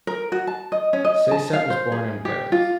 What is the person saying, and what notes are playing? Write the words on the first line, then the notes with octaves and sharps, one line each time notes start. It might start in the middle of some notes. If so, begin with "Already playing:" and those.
Saiset was born in Paris.
A#4
F#4
A5
D#5
C#4
D#5
A5
F5
C5
G#4
G4
F4